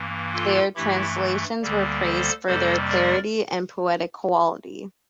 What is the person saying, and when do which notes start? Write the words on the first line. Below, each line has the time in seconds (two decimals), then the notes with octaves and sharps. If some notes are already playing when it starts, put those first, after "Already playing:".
Their translations were praised for their clarity and poetic quality.
Already playing: G2 E3 A#3
0.33 F4 A4
0.76 G2 E3 A3 E4 G4
1.62 D2 D3 G3 A#3
2.04 A4 C5
2.47 F2 C3 G3 A#3 A4 C5
2.90 A#4 D5